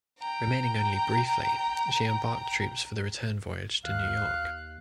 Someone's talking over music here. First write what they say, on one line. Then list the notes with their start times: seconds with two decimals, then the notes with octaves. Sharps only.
Remaining only briefly, she embarked troops for the return voyage to New York.
0.18 G5 A#5
3.84 D#2 F5 F#6